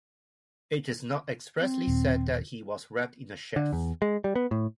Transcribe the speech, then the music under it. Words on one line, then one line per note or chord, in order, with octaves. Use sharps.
It is not expressly said that he was wrapped in a sheaf.
C4
D#1
D3
E2
G#3
G3
B3
A2